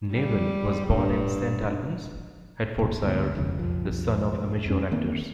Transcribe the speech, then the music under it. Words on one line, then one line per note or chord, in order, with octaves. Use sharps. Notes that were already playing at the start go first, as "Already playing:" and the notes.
Newell was born in Saint Albans, Hertfordshire, the son of amateur actors.
G3
G2
F1 B1 A#2
D2 G#2 B3
E1 F2 C#3
B1 F2 F3
F2 A#3 C#4
D#3 A#3 C4